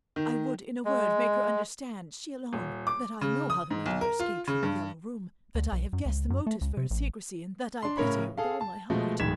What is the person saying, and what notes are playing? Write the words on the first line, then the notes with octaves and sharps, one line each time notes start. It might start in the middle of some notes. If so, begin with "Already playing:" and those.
I would, in a word, make her understand--she alone--that I know how the murderer escaped from The Yellow Room--that I have guessed the motives for her secrecy--and that I pity her with all my heart.
D#3
G#3
D#1
D6
C#3
D#6
G#2
B1
A#4
F4
C#3
G2
D2
B1
F#2
C#2
F#2
A3
C#2
C3
A1
D4 C6
A2 C#3 A#4 C#5 B5
G#4 A4 F5
A5
B2 F3 G#3 A3
D1 E2 G#2 G#6 B6 E7